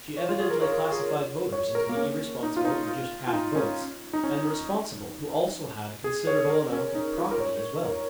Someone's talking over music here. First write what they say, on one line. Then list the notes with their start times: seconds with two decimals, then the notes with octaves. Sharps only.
She evidently classified voters into the irresponsible who just had votes and the responsible who also had a considerable amount of property as well.
0.17 C#5
0.29 F4
0.40 G#4
0.50 A#4
0.62 C#5
0.92 G#4
1.52 C#5
1.75 A#4
1.89 A#3
1.97 C#4
2.43 D#4
2.57 F4
2.65 D#4
2.88 F4
3.27 F4
3.33 D#4
3.56 C#4
4.13 D#4
4.23 C#4
6.04 G#4
6.27 C#5
6.50 A#4
6.72 C#4
6.95 D#4
7.17 F4
7.31 A#4
7.40 C#5
7.85 A#4